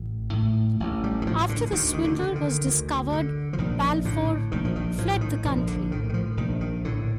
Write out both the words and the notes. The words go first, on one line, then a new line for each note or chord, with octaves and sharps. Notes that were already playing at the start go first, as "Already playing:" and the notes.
After the swindle was discovered, Balfour fled the country.
Already playing: A1
A2
A1
G3
D#3
A2 F3
D3
D2 D#3
D#3
D3
D3
D#3
D2
D3
F3
A#1 D#3
A2 D3
A#1 D#3
F3
D#3
A2 F3
D#3
A#1 F3
D3
A2 D#3
D#3
F3
A#1 D#3
D#3
A2 D3